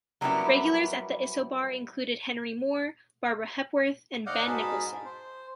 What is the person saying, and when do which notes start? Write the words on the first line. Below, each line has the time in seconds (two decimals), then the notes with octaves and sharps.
Regulars at the Isobar included Henry Moore, Barbara Hepworth and Ben Nicholson.
0.21 F#3 G3 A#3 B3 C#4 E4
4.26 D#2 D5 D#5 F5 F#5 G6
4.47 G#2 B2 G#4 A#4 A5 B5
5.05 C5